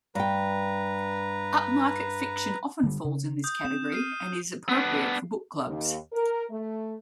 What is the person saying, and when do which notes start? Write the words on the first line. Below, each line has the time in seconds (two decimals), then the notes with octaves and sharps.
Upmarket fiction often falls in this category, and is appropriate for book clubs.
0.15 G2 B4 G5 A#5
2.83 D3 G3
3.04 C#3
3.44 D#6 G6
3.65 C4 E7
3.92 F6 C7 D#7
4.69 B3 D4
5.66 D#2
6.13 A#4
6.50 A3